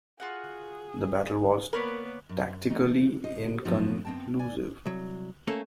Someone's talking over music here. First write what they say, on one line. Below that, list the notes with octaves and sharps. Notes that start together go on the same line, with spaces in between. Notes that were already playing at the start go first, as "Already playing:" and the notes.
The battle was tactically inconclusive.
F4 F#4 G#4 F#5
A#3 B3 A#4 B4 C#5 D5
F#2
E3 A3 D#4
C3 C5 D#5
G2 F3 F#3 B3 C4 E4
F#2 B3 C4 G5 A5
D5 G#5
C2 F#3
A3 A#3 C#4 A4